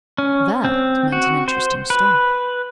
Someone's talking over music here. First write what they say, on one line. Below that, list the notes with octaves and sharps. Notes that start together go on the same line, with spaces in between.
That meant an interesting story.
C#4
C4
F#4
C5
B4